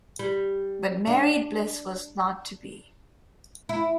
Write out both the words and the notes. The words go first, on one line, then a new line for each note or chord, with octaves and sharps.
But married bliss was not to be.
G3
D4
E4